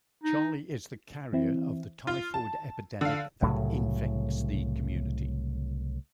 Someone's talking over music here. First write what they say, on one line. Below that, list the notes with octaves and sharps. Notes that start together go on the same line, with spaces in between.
Charlie is the carrier of the typhoid epidemic that infects the community.
D#4
E3 C4 E4
F4
A5
D3 F5
C2 A2 C#3 F#3